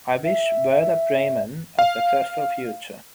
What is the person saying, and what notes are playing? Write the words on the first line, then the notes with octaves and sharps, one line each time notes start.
I wish Werder Bremen a successful future.
E5
F5